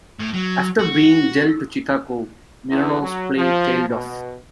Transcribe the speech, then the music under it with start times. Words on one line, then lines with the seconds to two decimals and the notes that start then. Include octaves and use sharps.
After being dealt to Chicago, Mironov's play tailed off.
0.20 A2
0.34 F#3
0.79 F#4
2.69 E2
3.01 F#3
3.36 F3
3.88 B2